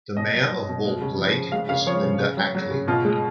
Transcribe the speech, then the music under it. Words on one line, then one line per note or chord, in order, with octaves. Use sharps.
The mayor of Walled Lake is Linda Ackley.
B2 D#5
F#3
F#3
B2
G#3
C#3
F3
C#3
G#3 F5
C#3 F5
F3 C#5
C#3
C#3
F#3
F#3
C#3
B2 F4
G#3